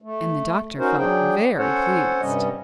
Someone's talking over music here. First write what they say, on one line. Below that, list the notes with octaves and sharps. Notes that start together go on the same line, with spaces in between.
And the Doctor felt very pleased.
A3
C#4 D#4 F#4 A#4 C5
F#3 D4 G#4 G5
C#4 A4 C5 C#5 F#5
G2 C3 G3 C#4 D#5